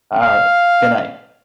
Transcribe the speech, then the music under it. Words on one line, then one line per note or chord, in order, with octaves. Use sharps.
Alright, good night.
F5